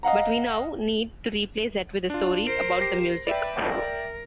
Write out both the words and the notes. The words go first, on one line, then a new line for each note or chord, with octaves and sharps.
But we now need to replace that with a story about the music.
D#5 F5 F#5 A#5
D4 F4
A#4 C5 D7
G4 A#6 C7
B4 D5 E5 G5
A#4